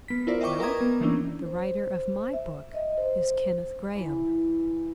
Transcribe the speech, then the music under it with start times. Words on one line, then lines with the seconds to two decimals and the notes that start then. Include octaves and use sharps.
Well, the writer of my book is Kenneth Grahame.
0.08 B3 B6
0.27 E4 F4 A#4 C5 D5
0.41 D#5 E5 G5 C#6 D6
0.60 A#4 B4 A#5 D6 D#6 G#6
0.81 B3
1.01 E3 A#3 C#4 D4 E4
1.46 C5
2.33 E5
2.74 D#5
2.98 C5
3.96 E3 E4